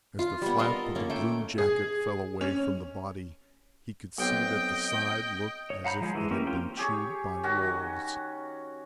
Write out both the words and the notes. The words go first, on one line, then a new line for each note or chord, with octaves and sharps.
As the flap of the blue jacket fell away from the body, he could see that the side looked as if it had been chewed by wolves.
F4
G3 B3
F4 A4 A#4 D#5
A#3 C#4
A3 G5
G#4
C#4
B1 C4 D#5 G5
C#5
F5 F#5 A#5 B5 G6
F3 G#3 F4 G#4
E3 G#3
E3 A#3 C#4 G4
C4 F4 G5
G4 G#4 C#5
D#3 C#4 F#4